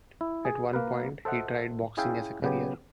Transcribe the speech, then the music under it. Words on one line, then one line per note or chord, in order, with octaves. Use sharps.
At one point he tried boxing as a career.
E4
G#4
A#3 A#4 B4
A4 C5 D#5 E5 F#5
C#4 E4 G#4 E5 F5 G5
C#3 F#3 B3 G4